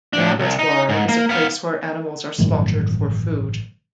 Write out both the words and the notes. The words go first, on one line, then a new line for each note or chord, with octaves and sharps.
An abattoir is a place where animals are slaughtered for food.
A2 D4
C2
D#4
G#2
A#3
B3 F5
A1 G2 D#3 F#3